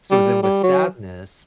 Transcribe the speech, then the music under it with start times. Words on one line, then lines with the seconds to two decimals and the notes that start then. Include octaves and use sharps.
so then with sadness,
0.11 G3
0.43 G3
0.63 F#3